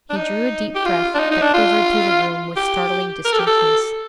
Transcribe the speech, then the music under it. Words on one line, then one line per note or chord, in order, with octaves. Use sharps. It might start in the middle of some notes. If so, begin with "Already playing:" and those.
He drew a deep breath that quivered through the room with startling distinctness.
D4
D#4
G4
F4
D4
D#4
D#4
D4
F4
G4
A#4
A4
G4
A4